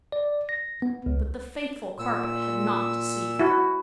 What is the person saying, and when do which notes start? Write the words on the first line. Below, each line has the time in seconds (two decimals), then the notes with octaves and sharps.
But the faithful carpet had not deceived them.
0.12 D5
0.49 A#6
0.82 B3
1.06 C#2
1.99 A#2 E6
3.39 E4 F#4